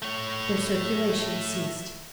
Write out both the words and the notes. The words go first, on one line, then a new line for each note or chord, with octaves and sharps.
There circulation ceased.
A3 C#5